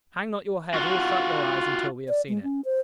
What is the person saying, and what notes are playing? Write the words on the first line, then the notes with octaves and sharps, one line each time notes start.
Hang not your head or shut your eyes until we have seen it.
F4 F#4
D5
G#3
C#4
C5